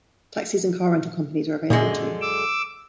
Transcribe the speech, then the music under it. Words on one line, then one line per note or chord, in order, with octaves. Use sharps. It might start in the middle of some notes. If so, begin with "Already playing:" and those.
Taxis and car rental companies are available, too.
F#2 A#2 D3 G#3
D6 E6